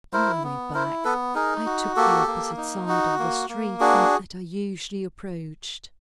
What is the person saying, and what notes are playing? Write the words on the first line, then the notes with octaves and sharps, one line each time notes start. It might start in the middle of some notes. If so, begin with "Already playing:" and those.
On my way back I took the opposite side of the street from that I usually approached.
E4 A#4 C5
B3
E4 A#4 C5
B3 A4 B4
D#4 G#4 A#4
F#4
A#3 G4 A4
A#3
D#4
F#4
A#3
A#3
D4 F#4 G#4